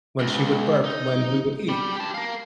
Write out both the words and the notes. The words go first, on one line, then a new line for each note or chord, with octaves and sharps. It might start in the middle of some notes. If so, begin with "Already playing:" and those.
when she would burp, when we would eat,
C#2
D#4
G3
G4 A5
A#4 F5